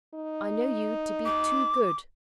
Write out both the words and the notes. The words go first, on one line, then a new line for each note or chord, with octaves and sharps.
I know you to be too good.
D#4
D6